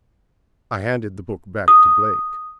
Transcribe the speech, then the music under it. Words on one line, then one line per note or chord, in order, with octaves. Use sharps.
I handed the book back to Blake.
D#6